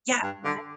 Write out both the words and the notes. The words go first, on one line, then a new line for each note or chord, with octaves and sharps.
yeah, go ahead.
G2
D3